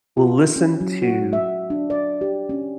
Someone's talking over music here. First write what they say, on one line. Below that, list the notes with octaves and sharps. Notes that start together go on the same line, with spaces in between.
will listen to
F4
C#4
F#3
F#4
E5
D4
D5
G4
C#4